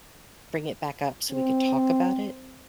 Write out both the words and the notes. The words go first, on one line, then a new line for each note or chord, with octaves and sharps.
bring it back up so we could talk about it
C4